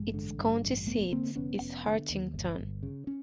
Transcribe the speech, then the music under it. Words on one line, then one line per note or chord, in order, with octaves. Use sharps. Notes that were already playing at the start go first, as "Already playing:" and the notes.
Its county seat is Hartington.
Already playing: A1 G2 G#3
D3
G2
A1
F1 A3 B3
D3 A#3 C4
F1 B3 C#4
F1
D3
D#2
G1
G1
C#3
C#4